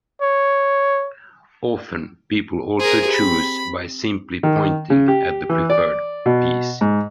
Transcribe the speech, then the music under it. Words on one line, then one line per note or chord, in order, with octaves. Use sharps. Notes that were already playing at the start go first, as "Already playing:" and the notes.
Often people also choose by simply pointing at the preferred piece.
C#5
G#4 A#4
B5
D#3
C#3
G4
E3
D5
B2
G#2